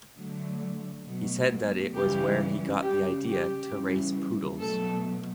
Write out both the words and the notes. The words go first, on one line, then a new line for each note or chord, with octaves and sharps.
He said that was where he got the idea to race poodles.
D3 F#3 A3
B2 F#3 A3
C#3 E3 G3 G4
C#3 G3 G4
G4
C#3 E3 G3
B2 F#3 A3 A4